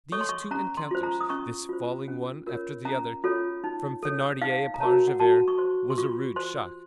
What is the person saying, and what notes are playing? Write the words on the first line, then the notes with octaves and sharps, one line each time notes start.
These two encounters, this falling one after the other, from Thenardier upon Javert, was a rude shock.
A4 C#5 C#6
C6
C#6
C#4 A#5
C6
F4 C5
A#5
D#6
C#4 C#6
F4 C5
C#4
F4 A#4 C#5
C#4 A#5
F4 A4 C#5
D#4
A4 C#5
D#4 F5
A#5
F#4 A#4 C#5 A5
F#5
F#4 A5
C#6
C5 C6
C6
F4 C#6
C5 C6